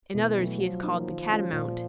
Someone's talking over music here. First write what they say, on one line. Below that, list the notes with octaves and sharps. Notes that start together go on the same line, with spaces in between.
In others he is called the Catamount.
B2 E3
F#3 A3
F3 F#3
A#3 D#4
D#3
G#3 C#4 F4
A#2 F3